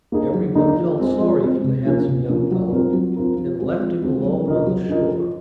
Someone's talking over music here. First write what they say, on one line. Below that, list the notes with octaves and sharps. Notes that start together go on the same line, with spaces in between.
Everyone felt sorry for the handsome young fellow and left him alone on the shore.
A#3 D#4 G#4
F#3
A#3 D#4 G#4
F3
G#3 C4
F3
G#3 C4
C3
F3 A#3 C#4
C3
F3 A#3 C#4
F#3
C4 F4 A#4
F#3
C4 F4 A#4
F3
G#3 C4 F#4
F3
G#3 C4 F#4
F#3
C#4 F4 A#4 D#5
F#3
C#4 F4 A#4 D#5
F3